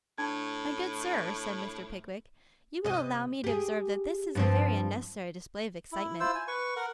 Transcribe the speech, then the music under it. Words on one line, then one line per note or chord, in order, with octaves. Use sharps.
'My good sir,' said Mr. Pickwick, 'you will allow me to observe that this is a very unnecessary display of excitement.
A2 D4 A5 G#6
C3 D#5
G4 G#4
G2 F3 C4
E4
E4 F4 C5 E6
G#5
B4 C#6
A#4 F#5